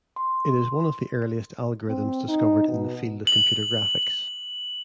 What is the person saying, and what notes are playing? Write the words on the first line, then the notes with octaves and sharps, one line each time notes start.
It is one of the earliest algorithms discovered in the field of computer graphics.
C6
C4
D#4
B2
F#7